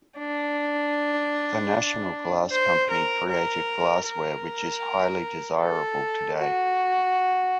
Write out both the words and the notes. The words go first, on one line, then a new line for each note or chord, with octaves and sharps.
The National Glass Company created glassware which is highly desirable today.
D4
C5
A#4
A#4
A#4
A4
F#4